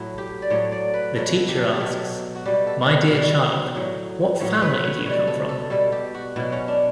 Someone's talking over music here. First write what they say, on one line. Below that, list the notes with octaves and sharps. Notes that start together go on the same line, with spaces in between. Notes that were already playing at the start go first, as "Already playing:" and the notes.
The teacher asks, my dear child, what family do you come from?
Already playing: A2 F#3 E4
G4
D5
A2 F#3 C#5
D5
B4
B2 F#3 A4
G4
A4
G4
G4
B2 F#3 A4
F#4
B2 G3 G4
A4
A4
B4
B2 G3
A2 F#3
A2 F#3 C#5
B4
C#5
B2 G3 C#5
A4
A4
B2 G3 A4
G4
F#4
B2 F#3 E4
C#4
D4